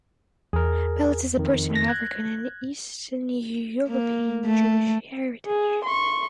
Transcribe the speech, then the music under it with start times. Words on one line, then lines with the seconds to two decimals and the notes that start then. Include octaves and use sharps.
Bellos is a person of African and Eastern European Jewish heritage.
0.53 E2 G#4 A#4
1.37 F2 D#3
1.76 A#6
1.88 F#6 G#6
3.88 A#3
4.45 A3
5.47 G#4
5.84 C6 C#6